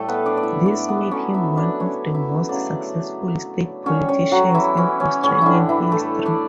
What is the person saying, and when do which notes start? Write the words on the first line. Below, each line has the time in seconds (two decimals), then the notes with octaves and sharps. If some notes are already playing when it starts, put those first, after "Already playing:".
This made him one of the most successful state politicians in Australian history.
Already playing: A2 G3 A3 A4
0.08 B3 B4
0.26 D4 D5
0.37 D5
0.43 E4 E5
0.66 D4 D5
0.88 B3 B4
1.11 D3 F#3 A3 C#4 C#5
1.34 E4 E5
1.57 D4 D5
1.80 C#4 C#5
2.14 E4 E5
2.49 C#3 F#3 A3 D4 D5
3.86 D3 G3 C#4 C#5
4.09 C#4 C#5
4.32 F#3 F#4
4.55 E3 E4
4.78 C#4
5.00 C#4
5.23 A2 G3 C#4
5.42 D3 D4 E4
5.69 E3 E4
5.92 A3 A4
6.25 D4 D5